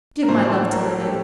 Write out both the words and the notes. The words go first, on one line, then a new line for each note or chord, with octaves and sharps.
Give my love to Lily.
A#4
A2 F3 C5
D5
C5
A#4
A4
G4